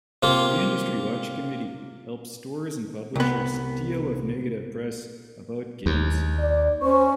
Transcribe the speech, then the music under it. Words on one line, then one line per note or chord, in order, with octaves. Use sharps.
The Industry Watch Committee helps stores and publishers deal with negative press about games.
C3 A#3 F4
C2 B3
D#2
D5
C#4 C5 C#6